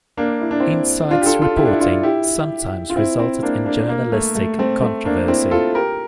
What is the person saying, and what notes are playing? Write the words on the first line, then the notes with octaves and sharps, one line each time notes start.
"Insight's" reporting sometimes resulted in journalistic controversy.
A#3 D4
E4
D4
C4 E4
D4 F4
G4
F4 A4
F4 A4
E4 G4
D4
E4
D4 F4
E4 G4
F4
C4 E4
C4 E4
A#3 D4
A#3 D4
A#3
A3
A3
A3 C4
A3 C4
A#3 D4
C4 E4
F4 A4
G4 A#4